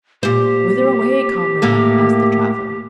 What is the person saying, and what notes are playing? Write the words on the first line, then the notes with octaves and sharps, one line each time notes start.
"Whither away, comrade," asked the traveller.
A#2 G4 C5
A2 A#3 A4